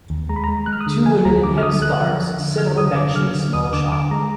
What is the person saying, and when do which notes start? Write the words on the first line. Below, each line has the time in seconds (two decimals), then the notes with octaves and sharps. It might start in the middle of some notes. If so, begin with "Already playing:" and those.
Two women in headscarves sit on a bench in a small shop.
0.10 D#2
0.29 G#3 A#5
0.36 B5
0.44 A#5
0.48 G#3
0.66 G#3 F#6
0.73 F6
0.81 D#6
0.86 D3
1.06 F3 G#5
1.25 D2 A#5
1.44 D3 D6
1.58 F6
1.63 D3 D#6
1.82 D3 F#6
2.01 F3
2.20 F3
2.39 D3
2.58 D3 F6
2.78 D3 D#6
2.96 D3 D6
3.16 F#3 F6
3.35 D3
3.53 D#2 D#6
3.73 D3 D6
3.92 D3 D6
4.11 G#3 A#5